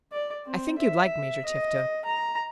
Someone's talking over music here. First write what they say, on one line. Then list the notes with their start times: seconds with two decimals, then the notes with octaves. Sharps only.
I think you'd like Major Tifto.
0.12 D5
0.46 C4
0.79 E5
1.45 D#5
2.05 A#5